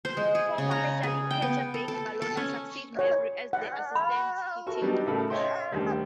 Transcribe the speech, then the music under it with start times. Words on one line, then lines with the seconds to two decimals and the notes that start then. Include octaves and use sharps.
Former major league catcher Bengie Molina succeeded Mabry as the assistant hitting coach.
0.05 C5
0.17 G#3
0.35 G#4
0.58 C#3
0.71 A#5
1.03 G#4
1.31 G5
1.42 B3
1.74 A4
1.88 A4
2.22 A4
2.37 C#4
2.99 C#5
3.53 F#5
3.95 B5
4.67 F#4 A4 A#4 C#6
4.81 F#3 G3 B3 D4 D#4 D5
5.07 A2 C#3 A3 A4 A#4 B5
5.30 C#5 D#5 E5 G5 C6
5.72 D2 D#3 G3 C#4